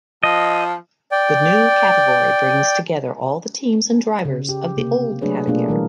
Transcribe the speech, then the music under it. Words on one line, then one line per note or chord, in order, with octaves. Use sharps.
The new category brings together all the teams and drivers of the old category.
F3 D#5
D5 G5
C#3
G4
C3 A#3
F#3 A3 D4 G#4 B4 C#5
B2 A3 A#3 D4 F4 G#4
E3 G3 A#4